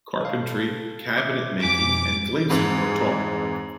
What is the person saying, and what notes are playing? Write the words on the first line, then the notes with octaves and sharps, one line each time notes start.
Carpentry, cabinet making, and glazing were taught.
A4 F5
E5 D6 G#6
F2 G#5 D6 B6
F2 G#2 E3